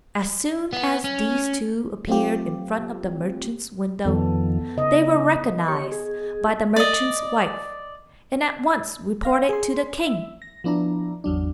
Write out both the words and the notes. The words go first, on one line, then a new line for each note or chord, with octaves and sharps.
As soon as these two appeared in front of the merchant's window they were recognised by the merchant's wife, and at once reported to the king.
B3
C#4
F#3 A3 C4 F4 G4
F2 D#3 F3 B3 A4
C#3 D#5
G4 C#5 C#6
G#4
D5 D#5
C5 F5 A#6
G#4 C6
E5
A#6
F3 B3 D4 E4 A#5
G#1 E2 F#3 D4